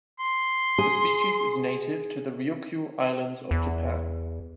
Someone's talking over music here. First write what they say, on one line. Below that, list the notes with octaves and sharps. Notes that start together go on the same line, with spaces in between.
The species is native to the Ryukyu Islands of Japan.
C6
G#4
E2